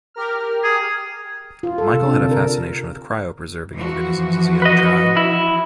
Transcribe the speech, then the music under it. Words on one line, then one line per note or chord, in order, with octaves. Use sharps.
Michael had a fascination with cryopreserving organisms as a young child.
G4 A#4 F6
G#4
F4
A4
C3
D4
D3
A#4
E3 F3 F#4
B4 D#5
E4